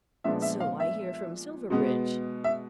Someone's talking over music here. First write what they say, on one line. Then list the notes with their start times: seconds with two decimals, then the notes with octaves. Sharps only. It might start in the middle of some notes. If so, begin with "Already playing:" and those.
"So I hear from Silverbridge."
0.24 A#2 F3 G#3 B3 D4 E5
0.42 E5
0.60 F5
0.80 E5
1.70 B2 G#3 B3
2.44 E5